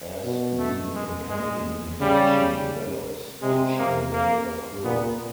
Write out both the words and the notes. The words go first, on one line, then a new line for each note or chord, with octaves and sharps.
As the impending infection develops, itching may occur.
B2
A3
G#3
G#3
C#3 G3
C3 G#3
A#3
A#3
A#2 B3